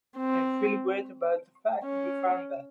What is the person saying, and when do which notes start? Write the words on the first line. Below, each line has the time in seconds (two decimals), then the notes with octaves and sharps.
I feel great about the fact we found that.
0.17 C4
1.84 C#4